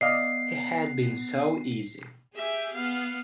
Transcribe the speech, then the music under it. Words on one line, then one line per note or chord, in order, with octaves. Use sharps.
He had been so easy.
B3 D5 D#5 F5 C7
G4 G#4 E5
B3 F5